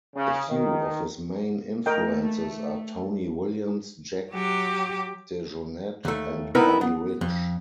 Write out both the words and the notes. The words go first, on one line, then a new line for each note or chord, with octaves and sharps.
A few of his main influences are Tony Williams, Jack DeJohnette and Buddy Rich.
C#3
D#3
A3 A#4 D#5 G5
F#3 G4
D#2 A3
B3 C4 D#4 E4 A#4 B4
B3
F2